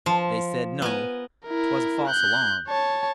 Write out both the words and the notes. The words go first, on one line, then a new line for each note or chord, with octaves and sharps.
They said, no, 'twas a false alarm.
F3
B3 A#4 G#5
E4 A#4
F#6 G6
C#5 A5